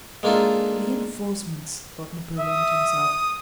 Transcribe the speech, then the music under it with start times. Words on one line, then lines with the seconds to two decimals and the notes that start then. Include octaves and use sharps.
"Reinforcements!" thought Napoleon to himself.
0.23 G#3 A#3 D4 D#4 F4 A4
2.38 E5 D#6